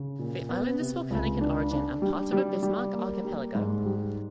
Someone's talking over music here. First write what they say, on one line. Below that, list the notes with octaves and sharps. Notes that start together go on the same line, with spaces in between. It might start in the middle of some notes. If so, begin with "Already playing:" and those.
The island is volcanic in origin and part of the Bismarck Archipelago.
Already playing: C#3
A#2
B3
C3
C#2
D4
D4
G3
G3
G3
A#3
G3
G#2
G3